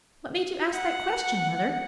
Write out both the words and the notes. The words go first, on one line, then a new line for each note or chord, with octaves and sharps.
"What made you ask that question, Mother?"
F#5